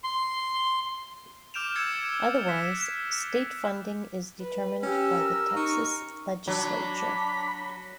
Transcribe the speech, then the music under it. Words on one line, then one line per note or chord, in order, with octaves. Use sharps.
Otherwise, state funding is determined by the Texas Legislature.
C6
D6 F6 G6 D7 E7 F7
E6 G#6 A6 C#7 G7
F#6 B6
B4
C#4 G4 E6
A#4
D#4 C#6
F#3 D4 B5